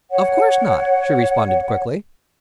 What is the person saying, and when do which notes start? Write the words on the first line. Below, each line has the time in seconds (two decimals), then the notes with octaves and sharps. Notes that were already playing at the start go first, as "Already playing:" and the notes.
"Of course not," she responded, quickly.
0.11 C#5 F#5